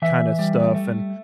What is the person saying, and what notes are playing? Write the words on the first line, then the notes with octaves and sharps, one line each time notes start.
kinda stuff, and,
E3 E5
G3
A3